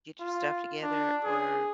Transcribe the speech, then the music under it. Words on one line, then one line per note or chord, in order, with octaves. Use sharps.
"Get your stuff together or
F4
D4
G#4